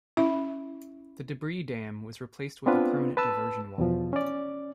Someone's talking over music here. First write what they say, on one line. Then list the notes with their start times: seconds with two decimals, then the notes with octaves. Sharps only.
The debris dam was replaced with a permanent diversion wall.
0.17 C#4 E4 E5 B5
2.66 B3 C4 D4 F4 B4
3.17 B4 A5 E6
3.78 E2 B2 F3
4.13 C#4 D5